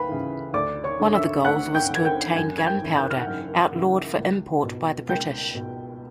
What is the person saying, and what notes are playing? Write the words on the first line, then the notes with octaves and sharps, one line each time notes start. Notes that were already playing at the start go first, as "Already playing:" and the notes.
One of the goals was to obtain gunpowder, outlawed for import by the British.
Already playing: D2 B4 F5 G5 B5
C#3 E3
D2 D5 D6
C#5 C#6
D3
E5 E6
D2 F#5 F#6
G5 G6
D3 G#6
G5 G6
F#2 G#5 G#6
G#6
G5 G6
C#3 E3
G6
F#6
F6
F#5 F#6
F#2
C#3 E3
C#2
B2
C#2 G5 G6
B2